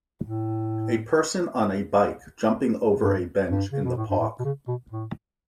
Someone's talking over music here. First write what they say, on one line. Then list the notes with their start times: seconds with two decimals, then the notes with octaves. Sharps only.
A person on a bike jumping over a bench in the park.
0.22 A2
3.03 G2
3.50 G2
3.72 C#3
3.85 B2
3.97 A2
4.09 G2
4.20 A2
4.39 B2
4.44 C#3
4.67 B2
4.91 A2